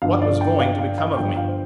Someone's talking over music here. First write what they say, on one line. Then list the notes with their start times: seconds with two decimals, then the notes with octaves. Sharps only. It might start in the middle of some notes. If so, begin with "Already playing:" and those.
What was going to become of me?
0.02 G1 G2 F3 F5
0.22 D5
0.41 G5
0.60 F5
0.79 F5
0.98 F5
1.17 G1 G2 F3 G5
1.36 F5
1.48 C5